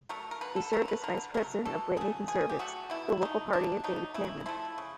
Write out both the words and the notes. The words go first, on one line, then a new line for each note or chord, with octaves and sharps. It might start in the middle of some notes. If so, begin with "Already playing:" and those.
He served as Vice President of Witney Conservatives, the local party of David Cameron.
F#3 A3 A#4
A#4
D3 B4
A4
F#3 A3 A#4
B4
D3 A#4
F#3 A3 A#4
B2 A4
F#3 A3 G#4
B2 G#4
G4
F#3 A3 F#4
B2 E4
F#3 A3 D#4
B2 D4
F#3 A3 D#4
C#3 E4
F3 A3 E4
C#3